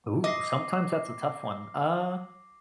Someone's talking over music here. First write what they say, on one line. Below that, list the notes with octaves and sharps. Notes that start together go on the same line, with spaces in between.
Ooh, sometimes that's a tough one, uh,
D#5 D6 A#6 C7